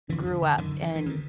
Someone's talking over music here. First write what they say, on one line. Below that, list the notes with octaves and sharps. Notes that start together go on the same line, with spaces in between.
grew up, and,
F2 D3 E3
D3
D3
F#2 D3 D#3
E3
E3
D3 D#3